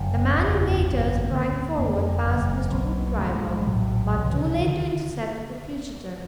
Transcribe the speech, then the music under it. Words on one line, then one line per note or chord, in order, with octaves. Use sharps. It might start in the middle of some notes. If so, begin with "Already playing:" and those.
The man in gaiters sprang forward past Mr. Hoopdriver, but too late to intercept the fugitive.
Already playing: F#1 F#2 D3 A3
F#1 E2 C#3 B3
G#1 F#2 C#3
B3
D2 D3 A#3
F1 F2 D3 A#3
F#1 E2 B2
B1
B2
B1 A2 A3
G#3
G#3
A#1 A2 F#3
C#2 C3 F3
E3
D3
E3
D3 D#3